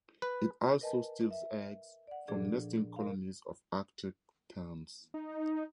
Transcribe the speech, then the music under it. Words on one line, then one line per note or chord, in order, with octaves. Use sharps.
It also steals eggs from nesting colonies of Arctic terns.
B4
A#4 B4 D#5 G#5 A5
E5
D5 F#5
A#2 F3 D4 G#4 A4 D5
A#4 F5
D#4